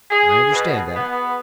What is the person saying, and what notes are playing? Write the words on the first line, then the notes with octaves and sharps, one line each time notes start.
"I understand that."
G#4
B2
B3